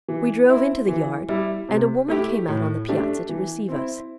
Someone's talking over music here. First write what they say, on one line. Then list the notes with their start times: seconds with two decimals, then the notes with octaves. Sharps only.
We drove into the yard, and a woman came out on the piazza to receive us.
0.08 E3
0.48 C4 E4
0.88 E3
1.29 G3 E4
1.69 C3
2.08 A3 E4 G4
2.48 A2
2.88 A3 D4 G4
3.29 E3
3.69 C4 E4